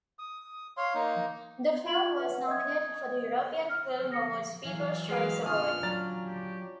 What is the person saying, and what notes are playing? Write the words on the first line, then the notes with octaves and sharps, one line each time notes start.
The film was nominated for the European Film Awards People's Choice Award.
D#6
C#5 F5 C6
A#3 D#4
F4 B5 C6 G#6 F#7
B4 E5 F#5
D#5 D#6 G#6
F6
D#6 A#6 C#7
E3 F#3 F5
G#3 B4 F5
C#4 D4 F4 D#6 F6
F#3 D5 A#5 A6
G4